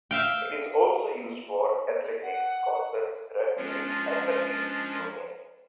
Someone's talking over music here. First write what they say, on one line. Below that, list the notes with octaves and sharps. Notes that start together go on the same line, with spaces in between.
It is also used for athletics, concerts, rugby league and rugby union.
E5 F5 G5
F#5
F3 G#3 C#4 D4 F4